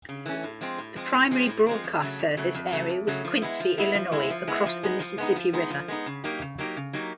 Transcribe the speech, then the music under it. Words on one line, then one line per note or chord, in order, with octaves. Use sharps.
The primary broadcast service area was Quincy, Illinois, across the Mississippi River.
C#3
E3 A3 C#4
A2
F3 G#3 C4
A2
F3 G#3 C4
A2
F3 G#3 C4
A2
F3 G#3 C4
F2
C#3 F#3 A3
F2
C#3 F#3 A3
F2
C#3 F#3 A3
F2
C#3 F#3 A3
F3
G#3 B3 E4
F3
G#3 B3 E4
F3
G#3 B3 E4
F3
G#3 B3 E4
F3
G#3 B3 D#4
F3
G#3 B3 D#4
F3
G#3 B3 D#4
F3
G#3 B3 D#4
C#3
F#3 A#3 D#4 G4
C#3
F#3 A#3 D#4 G4
C#3
F#3 A#3 D#4 G4